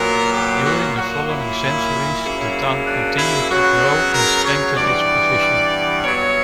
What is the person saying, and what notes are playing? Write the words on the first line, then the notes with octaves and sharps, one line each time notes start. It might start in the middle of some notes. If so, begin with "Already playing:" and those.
During the following centuries the town continued to grow and strengthened its position.
Already playing: A#2 F#3 B3 A#4
G4
F#4
A#2 F#3 A#3 F#4
E4
C#3 F#3 A#3
D4
E4
C#3 F#3 B3 F#4
A#4
C#5
G2 E3 B3 D5
G2 F#3 B3 C#5